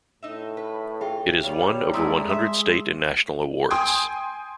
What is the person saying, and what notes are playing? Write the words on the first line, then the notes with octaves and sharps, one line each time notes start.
It has won over one hundred state and national awards.
A2 D#4 E5
B4
F4 G#4 E5 G5
D#3 G3 C#5 F5
G#3 A3 C4 E4 A#5 C6 D#6
E5 C6 D#6
G5 G#5 C6 D#6